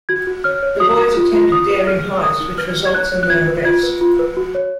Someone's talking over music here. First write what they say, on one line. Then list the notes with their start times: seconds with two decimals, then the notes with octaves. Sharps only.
The boys attempt a daring heist, which results in their arrest.
0.09 F#4 G#6
0.27 F#4
0.44 C#5 F6
0.63 C#5
0.80 F#4 D#6
0.98 F#4
1.16 F4
1.33 F4
1.52 F4 D#6
1.69 B4
1.87 G#4 F6
2.05 G#4
2.22 A#4 D#6
2.40 D#4
2.58 B4 F6
2.76 F#4
2.85 G#6
2.94 C#5 F#6
3.12 C#5
3.23 F#6
3.30 F4 G#6
3.48 B4
3.65 F4 G#6
3.83 B4
4.01 F4
4.19 B4
4.37 F#4
4.55 C#5